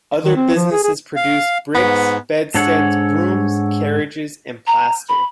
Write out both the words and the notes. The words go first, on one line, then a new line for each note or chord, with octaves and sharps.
Other businesses produced bricks, bedsteads, brooms, carriages and plaster.
D#3
C4
F3
G#4
G#4
F5
G#2 B3
G#2 D4 A4 C#5 F#5
A#5
B5